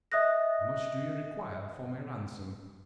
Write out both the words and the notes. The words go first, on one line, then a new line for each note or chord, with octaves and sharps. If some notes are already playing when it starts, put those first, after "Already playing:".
"How much do you require for my ransom?"
D#5 E5 D#6 F#6 A#6